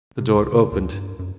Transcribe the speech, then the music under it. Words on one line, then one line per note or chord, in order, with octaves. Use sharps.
The door opened.
C3
C2
C#3
D2
G2
F#2